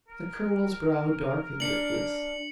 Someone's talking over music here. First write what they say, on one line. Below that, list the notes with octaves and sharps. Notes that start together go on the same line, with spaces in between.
The Colonel's brow darkened at this.
A#4
D4 C#7 F#7